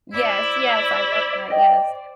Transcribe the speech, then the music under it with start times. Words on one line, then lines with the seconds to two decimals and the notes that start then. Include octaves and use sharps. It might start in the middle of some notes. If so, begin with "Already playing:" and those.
Yes, yes, I love that, yes.
0.13 E4 C5 D5
1.50 D#5 G5